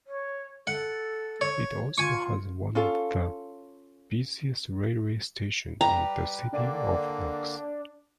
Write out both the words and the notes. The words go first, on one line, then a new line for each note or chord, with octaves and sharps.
It also has one of the busiest railway stations in the City of Knox.
C#5
A4 F#5
C#5
F4 G#5 C#6
C#4 F4 A4
G3 G4 B4 G5 A#5
D3 A#3 D4